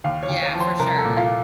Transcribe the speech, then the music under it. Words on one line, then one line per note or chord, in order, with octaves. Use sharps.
Yeah, for sure.
D#2 F5
C#5
D#2
C#5
F3
C5
C2 A#4
A4
A#2
F4